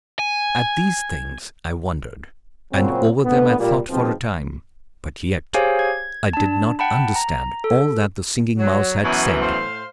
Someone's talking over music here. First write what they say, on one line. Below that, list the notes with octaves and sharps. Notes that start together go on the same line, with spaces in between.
At these things I wondered, and over them I thought for a time, but yet I did not understand all that the Singing Mouse had said.
G#5
A#2 C#3 F#3 C4
D2 B3
A#2 G3
G#2 B2 F3 C4
G4 G#4 C5 C#5 F5 G#5
G#6
D4 A5
F#5 G5 A5 B5
A#5
A4
F#3
F#2 B2 E3 B3 C#5 G#5
A2 C5 F5